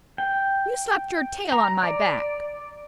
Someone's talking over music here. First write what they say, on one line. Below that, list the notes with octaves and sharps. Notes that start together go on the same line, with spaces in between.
"You slapped your tail on my back!"
G5
A#5
D5